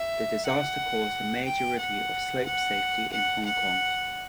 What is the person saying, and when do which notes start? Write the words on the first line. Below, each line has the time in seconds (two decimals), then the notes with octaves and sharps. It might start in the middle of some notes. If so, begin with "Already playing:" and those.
This disaster caused a major review of slope safety in Hong Kong.
Already playing: E5
0.45 F#5
1.45 G5
1.79 F#5
2.46 F#5
3.12 F#5
3.46 F#5